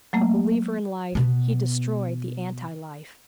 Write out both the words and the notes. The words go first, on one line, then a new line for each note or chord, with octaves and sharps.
A believer in life, he destroyed the anti-life.
F#3 A3 A#3
B2 B3